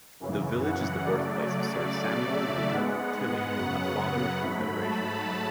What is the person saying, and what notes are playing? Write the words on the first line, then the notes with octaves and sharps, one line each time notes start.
The village is the birthplace of Sir Samuel Leonard Tilley, a Father of Confederation.
F#2 C#3 E3
F#5
C#3 F#3 A3 D5
C#3 F#3 A3 D5
E5
G#2 G#3 B3 F#5
F#2 C#3 F#3 B3 F#5
G#2 F#3 A3 B5
A5